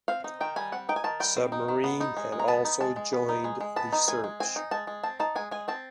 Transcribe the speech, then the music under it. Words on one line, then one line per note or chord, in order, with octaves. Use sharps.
Submarine had also joined the search.
C4 F5
D#4
D#3 G5
G3 G#5
C4 F#5
D#4 G5
G#5
D#3 A5
G3 G5
C4
D#4
D#3
B3
D#4
G#3
G#3
A#5
B3 A5
D#4
G#3 A5
G#3
B3
D#4
G#3
G#3
B3 A5
D#4
G#3 G#5
G#3
C4 G#5
D#4
G#3 A5
G#3
C4 A5
D#4 A5
G#3 G#5
G#3 G#5
C4 A5